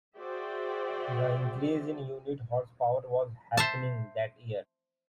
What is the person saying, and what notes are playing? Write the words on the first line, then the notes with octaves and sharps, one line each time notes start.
The increase in unit horsepower was happening that year.
F#4 G#4 C5 D5 E5 G5
C5 E5 A5